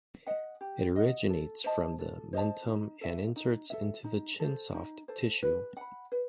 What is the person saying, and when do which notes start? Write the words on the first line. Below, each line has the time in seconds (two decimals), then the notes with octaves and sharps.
It originates from the mentum and inserts into the chin soft tissue.
0.27 D#5 F#5
0.61 G4
0.96 D#5 F#5
1.30 A4
1.64 C5 D#5 A5
1.99 A4
2.33 C5 D#5 A5
2.67 D#4
3.01 A4 E5
3.36 D#4
3.70 A4 E5
4.04 D#4
4.40 A4 C5
4.74 D#4
5.08 A4 C5
5.43 B4
5.77 F#5 B5
6.12 B4